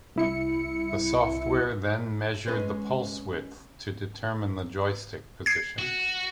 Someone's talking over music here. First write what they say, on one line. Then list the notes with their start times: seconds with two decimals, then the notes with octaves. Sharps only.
The software then measured the pulse width to determine the joystick position.
0.16 C2 E4 C#7
2.47 G#3 C#4 B4
5.46 G#6 C7
5.79 F#4